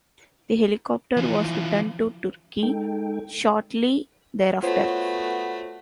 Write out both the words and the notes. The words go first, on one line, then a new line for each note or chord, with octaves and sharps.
The helicopter was returned to Turkey shortly thereafter.
E3 F3
G#3 D#4 A4 G5
A3 B3 F4 F#4 C5 C#5